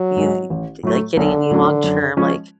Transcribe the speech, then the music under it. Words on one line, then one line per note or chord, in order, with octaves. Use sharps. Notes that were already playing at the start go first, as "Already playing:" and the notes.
be, like, getting any long term, like,
Already playing: F#3
G#2 G#3
A1
A2 F#3 A3
B1 D3
A2 F#3 C#4
F#2
F3 G#3 C#4